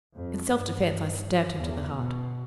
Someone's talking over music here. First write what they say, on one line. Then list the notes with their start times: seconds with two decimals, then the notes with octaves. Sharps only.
In self-defence I stabbed him to the heart.
0.15 F2
0.50 G2
1.56 E2
1.95 B2